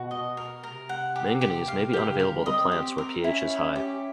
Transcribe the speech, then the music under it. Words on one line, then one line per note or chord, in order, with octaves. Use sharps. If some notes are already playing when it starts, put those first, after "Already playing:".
Manganese may be unavailable to plants where pH is high.
Already playing: B2 F#4
D#5
A#4
C3 A#4
F#5
G4
G4
F5
B2 G4
C3
C#3
D3 A#4
G3
C4 D#5
C4
G4
A#4
C#4 E4
E4
G4